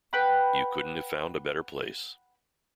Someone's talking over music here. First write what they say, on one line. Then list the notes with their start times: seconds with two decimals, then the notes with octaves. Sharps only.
You couldn't have found a better place.
0.13 B4 F#5 G5 B5